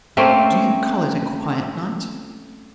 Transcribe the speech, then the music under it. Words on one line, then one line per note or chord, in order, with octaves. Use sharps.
"Do you call it a quiet night?"
A3 A#3 C4 C#4